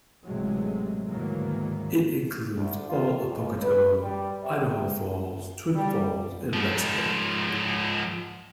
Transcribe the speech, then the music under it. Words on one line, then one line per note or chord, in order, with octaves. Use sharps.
It includes all of Pocatello, Idaho Falls, Twin Falls, and Rexburg.
A1 C3 F#3 G#3 A3
D2 G#2 D#3 E3 F#3 A#3
D2
F4
C#2
B4
G3
C3
G3
G#2 F3